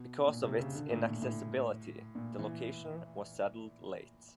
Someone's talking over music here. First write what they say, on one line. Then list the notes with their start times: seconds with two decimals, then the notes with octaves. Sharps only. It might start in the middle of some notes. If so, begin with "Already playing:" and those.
Because of its inaccessibility, the location was settled late.
Already playing: B2
0.28 A#2
0.43 C3
0.59 C#3
0.75 D3
0.90 A2
1.05 A#2
1.22 A2
2.15 A#2
2.39 E3